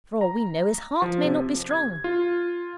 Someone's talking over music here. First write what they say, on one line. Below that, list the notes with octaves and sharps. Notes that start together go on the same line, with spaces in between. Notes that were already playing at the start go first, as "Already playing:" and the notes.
For all we know, his heart may not be strong.
A#5
F3
C3
G#6
F4